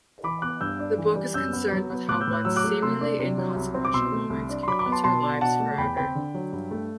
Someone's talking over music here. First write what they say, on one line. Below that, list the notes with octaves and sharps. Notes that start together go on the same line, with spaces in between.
The book is concerned with how one seemingly inconsequential moment can alter lives forever.
E3 B5 D6
B3 D6 F#6
G2 E6 G6
D4
E3
G3
F#2 E6 G6
B3
F#3
B3
A2 D6 F#6
E6 G6
A2
F#6
F#3 E6
D6 F#6
A3
C3 C6 E6
D4
C3
F#3
C2
C4
D6
B2 C6 E6
A3
C2
D4
C6
F#3 B5 D6
B5 D6
B3
A5 C6
B2 A5 C6
D4
B2 F#5 A5
A3
E2 G5 B5
C4 G5 B5
D3
F#3
G2
A3